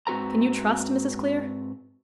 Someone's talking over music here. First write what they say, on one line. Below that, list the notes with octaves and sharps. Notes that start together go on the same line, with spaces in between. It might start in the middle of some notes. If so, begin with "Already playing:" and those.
"Can you trust Mrs. Clear?"
G#2 C4 F#4 B4 A#5